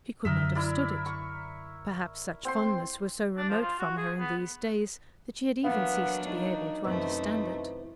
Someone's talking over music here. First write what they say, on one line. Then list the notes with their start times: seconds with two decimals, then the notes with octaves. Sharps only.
She could not have stood it; perhaps such fondness was so remote from her in these days that she had even ceased to be able to understand it.
0.25 F#2 D3 A#4 D#5 E5
0.55 E4 A#4 D5
1.06 C#6
2.45 C4 G5 C6
3.38 D4
3.49 F3
3.61 F4
3.80 F#4
3.97 G#4
4.20 B3
5.64 E3 F#3 A#3 B3 D4 F5
6.27 D#4
6.84 F#2 C3 E3 A3 B3